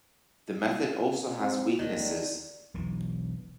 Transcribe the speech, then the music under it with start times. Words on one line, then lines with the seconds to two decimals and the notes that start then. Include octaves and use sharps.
The method also has weaknesses.
1.40 C4
1.79 D#2 D#3 D4
2.74 E1 B1 E3